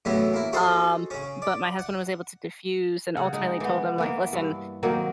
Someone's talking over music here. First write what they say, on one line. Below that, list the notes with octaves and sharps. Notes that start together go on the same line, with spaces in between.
um, but my husband was able to diffuse and ultimately told him like, "Listen,
A2 C#3 E3 F#3 B3
A#3 E4
F#4 G#4 A4 C5 D#5
C#3 C#4
D5
F#5
C#3 F#5
G#3 D#4
E3 B3
E3 A#3 B3
G2
D#3 F#3 A#3 C4